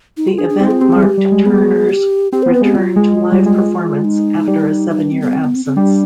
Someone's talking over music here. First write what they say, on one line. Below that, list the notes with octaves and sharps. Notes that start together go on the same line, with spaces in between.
The event marked Turner's return to live performance after a seven-year absence.
D#4
F4
D4 G#4
D4
C4 D#4
F4
C4 G4
G3 G#4
G#3 G4
G3
G#3
B3 G#4
G4
C4 G4
B3 C5
B4
G#3
G4
G3 F4
G#3
G#3
G3
G#3
D#4
G3
D#4
D4
C4
B3
C4
B3
C4
C4
G3 D4